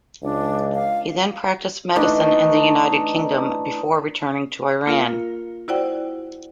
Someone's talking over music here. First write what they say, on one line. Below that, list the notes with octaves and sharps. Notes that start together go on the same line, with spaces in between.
He then practiced medicine in the United Kingdom, before returning to Iran.
C#2 D4
F5
E3 A3 D4 D#4
A#3 F4 A#4 F5
E4 F#4 C5 D5 F#5 G5